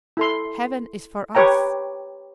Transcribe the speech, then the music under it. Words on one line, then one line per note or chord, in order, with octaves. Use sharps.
Heaven is for us!
E4 A4 C6
G4 B4 C#5 G5 A#5